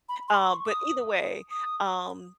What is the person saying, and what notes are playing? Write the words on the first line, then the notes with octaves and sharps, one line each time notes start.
Um, but either way, um
B5
C6
C#6
D6
D#6
D#6